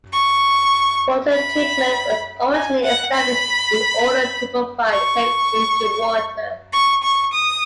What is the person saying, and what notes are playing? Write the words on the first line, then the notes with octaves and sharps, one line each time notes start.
Water treatment was originally established in order to provide safe drinking water.
C#6
B5
G#5
F#5
B5
C#6
C#6
C#6
D#6